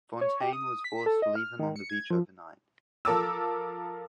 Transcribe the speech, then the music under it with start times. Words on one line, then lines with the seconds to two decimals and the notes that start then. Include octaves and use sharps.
Fontaine was forced to leave them on the beach overnight.
0.21 C#5
0.41 G4
0.53 D#6
0.84 B6
1.06 A4
1.22 D#5
1.35 F6
1.59 D#3
1.76 C#7
1.90 G#6
2.10 F3
3.05 F3 A4 A#4 A5 D6 E6